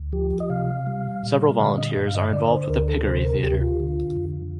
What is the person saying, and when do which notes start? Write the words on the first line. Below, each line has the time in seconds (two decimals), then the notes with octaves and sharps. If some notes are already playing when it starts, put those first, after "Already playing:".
Several volunteers are involved with the Piggery Theater.
Already playing: D2
0.12 F3 G4
0.40 D#5
0.50 C3 F5
0.87 G3
1.23 A#2
1.60 D3 F5
1.78 D#5
1.96 G2
2.07 F5
2.15 D#5
2.33 D3 D5
2.46 D5
2.51 C5
2.70 D2 A#4
2.88 A4
3.06 C3 C5
3.25 A#4
3.43 D2 G4
3.61 F4
3.80 D3
4.17 F2